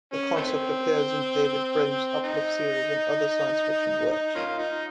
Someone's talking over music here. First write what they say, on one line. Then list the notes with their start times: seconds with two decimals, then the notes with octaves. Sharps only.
The concept appears in David Brin's Uplift series and other science fiction works.
0.13 C#4
0.36 D#3 A3 C4
2.24 D#4
4.12 D#4
4.35 A#3 C#4 F4
4.59 D#4